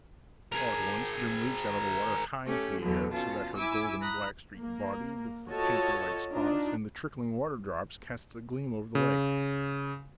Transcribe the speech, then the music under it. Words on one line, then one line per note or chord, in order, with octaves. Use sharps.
All at once, Grim leaps out of the water high into the air, so that her golden, black-streaked body, with the panther-like spots and the trickling water-drops, casts a gleam over the lake.
G#4 A#4
A3 C#4 G4
E2 B2 D3 F#3
B2 C#4 F4 A5
E4 G#5 D6 E6
A#5 B5 D#6 F#6
A#3
F4 F#4 A4 C#5 D#5 A5
D4 D#4 F4
C#3